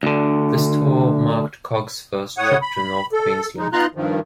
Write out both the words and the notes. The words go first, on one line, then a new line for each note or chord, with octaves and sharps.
This tour marked Cog's first trip to North Queensland.
D2 D3
A2 C#5 F#5 D#6
B5
A4
G#3 D#4
B3 D#4 F4 A#5 C6 F#6
G2 D#3 F3